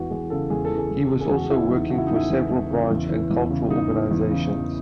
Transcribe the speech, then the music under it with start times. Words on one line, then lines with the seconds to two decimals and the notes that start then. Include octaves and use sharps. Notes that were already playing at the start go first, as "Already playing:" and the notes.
He was also working for several branch and cultural organisations.
Already playing: E2 E3 F#4
0.11 E2 G#4
0.30 C#3 A4
0.50 E2 G#4
0.65 A4
0.70 E3
0.78 G#4
0.91 E2
1.11 C#3
1.21 G#4
1.31 E2 F#4
1.51 E3 E4
1.70 E2 D#4
1.90 C#3 F#4
1.98 E4
2.07 D#4
2.11 E2 E4
2.30 E3
2.50 E2
2.70 C#3
2.90 E2
3.11 E3
3.31 E2
3.50 C#3
3.70 E2 D#4
3.90 E3
4.11 E2
4.31 C#3
4.50 E2